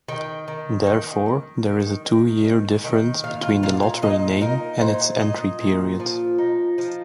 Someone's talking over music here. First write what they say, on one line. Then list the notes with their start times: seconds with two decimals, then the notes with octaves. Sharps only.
Therefore, there is a two-year difference between the lottery name and its entry period.
0.08 D#3 G5
0.48 D#3
0.87 D#3
1.26 D#3
1.65 D#3
2.05 D#3
2.44 D#3
2.84 D#3
3.24 A#2 F5
3.43 F4
3.63 A#2 F5
3.83 F5
4.02 A#2 D#5
4.41 D#4 A#4
4.81 A#2 C5
5.20 A#2 D#5
5.60 A#2
6.00 F3
6.38 D#4
6.78 F3